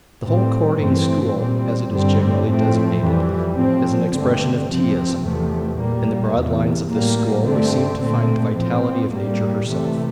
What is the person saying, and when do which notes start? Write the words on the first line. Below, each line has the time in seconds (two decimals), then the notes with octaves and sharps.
The whole Korin school, as it is generally designated, is an expression of Teaism. In the broad lines of this school we seem to find the vitality of nature herself.
0.24 A2 G3 C4
0.79 G2 E3 A3 C4
1.35 A#2 G3 C4
1.90 G2 D3 G3 C4
2.46 A2 F3 A3 C4
3.01 F2 E3 G3
3.57 A2 F3 C4
4.12 G2 D3 A3 C4
4.67 C3 F3 C4
5.23 E2 C3 F3 A3
5.79 A#2 G3 A#3
6.34 E2 C3 E3
6.90 A2 G3 A#3
7.45 G2 D3 A3 C4
8.01 A#2 A3 C4
8.56 A2 F3 C4
9.12 A2 G3 A#3
9.68 C3 E3 A3